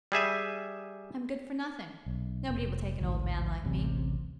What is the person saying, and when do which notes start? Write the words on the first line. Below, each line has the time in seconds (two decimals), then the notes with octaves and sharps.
I am good for nothing. Nobody will take an old man like me.'
0.12 G3 G#4 E5 G#5
2.06 B1
2.48 F1
3.00 A1 D2 G#2
3.63 D1 A1 C3